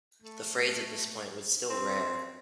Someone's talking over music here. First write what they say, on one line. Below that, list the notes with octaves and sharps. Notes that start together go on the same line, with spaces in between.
The phrase at this point was still rare.
A3
C4